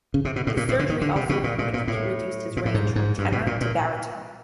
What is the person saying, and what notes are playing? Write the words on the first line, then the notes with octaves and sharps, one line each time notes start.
The surgery also permanently reduced his range from tenor to baritone.
C#3
C3
B2
A2
A#2
A2
D3
D#3
D3
C3
B2
A#2
A#2
A#2
A2
A#2
A2
G#2
G#2
G2
B2
A#2
A#2